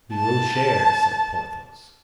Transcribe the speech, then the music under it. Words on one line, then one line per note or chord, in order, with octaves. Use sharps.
"We will share," said Porthos.
A5